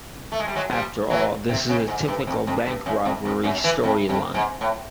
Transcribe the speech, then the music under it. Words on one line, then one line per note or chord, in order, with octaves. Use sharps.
After all this is a typical bank robbery storyline.
A3
G#3
G3
F#3 G#3
F3 G3
E3 F#3
C3
C#3
G#2
G2
F2
F2
G2
F#2
F2
F2
F#2
E3
F2
F2
G#2
A2